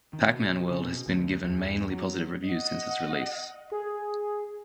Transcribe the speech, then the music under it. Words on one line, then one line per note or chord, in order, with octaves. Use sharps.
"Pac-Man World" has been given mainly positive reviews since its release.
D#3
B2
C#3
B2
D2
E2
F#3
D#5 F#5
G#4